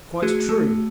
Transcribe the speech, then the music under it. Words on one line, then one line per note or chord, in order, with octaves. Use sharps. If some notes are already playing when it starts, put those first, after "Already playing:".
Quite true!
A3 F#4 G#4
A3